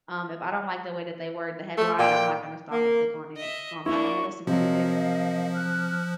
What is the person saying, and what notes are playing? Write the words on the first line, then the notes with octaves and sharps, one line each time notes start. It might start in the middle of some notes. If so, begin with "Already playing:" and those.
um, if I don't like the way that they word the headline, I'm not gonna stop and click on it or I'm not gonna listen to it,
A3
A#2 G5
A#3
D#5 E5
A#3 D4 E4 C#6
C3 F3 F#3 A#4 D#5 F5
F6 F#6